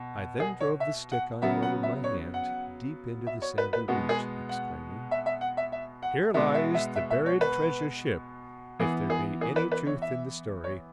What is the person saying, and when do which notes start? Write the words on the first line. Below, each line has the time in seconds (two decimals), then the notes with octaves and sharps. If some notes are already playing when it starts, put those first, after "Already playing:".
I then drove the stick I held in my hand deep into the sandy beach, exclaiming, "Here lies the buried treasure-ship, if there be any truth in the story."
Already playing: B2
0.40 G#4
0.60 C#5
0.80 E5
1.12 F#5
1.42 C#3 F#3 B3 E5
1.62 F#5
1.83 E5
2.04 C#5
2.34 F#5
3.27 E5
3.42 C#5
3.58 B4
3.73 B4
3.88 B2 G#3 B3 F#4
4.09 G#4
4.49 F#5
5.11 E5
5.26 E5
5.41 F#5
5.57 E5
5.72 E5
6.02 F#5
6.34 B2 G#3 B3 E5
6.54 E5
6.74 E5
6.96 E5
7.10 E5
7.26 C#5
7.41 B4
8.79 E3 B3 G#4
9.10 G#4
9.41 G#4
9.56 B4
9.71 B4
9.87 C#5
10.02 E5
10.64 C#5